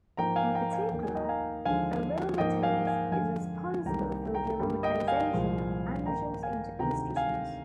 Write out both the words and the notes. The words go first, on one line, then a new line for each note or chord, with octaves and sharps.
In particular, aromatase is responsible for the aromatization of androgens into estrogens.
G#2 F3 A#3 G5 A#5
F5 G#5
G5 A#5
F5 G#5
D#2 D#3 A#3 G5
G#5
D#5 G5
A#5
F5 G#5
D#2 D3 F3 G#3 F5 G#5
G#2 F3 A#3 D#5 G5
F5 G#5
F5 G#5
F2 D3 G#3 F5 G#5
C2 C3 D#3 G3 A#3 G5 A#5
G5 A#5
G2 D3 G3 A#3
D#5 G5
F5 G#5
C2 A#2 F3 G#3
G#2 D#3 A#3 G5 A#5
F5 G#5
D2 C3 D#3 G5 A#5
F5 G#5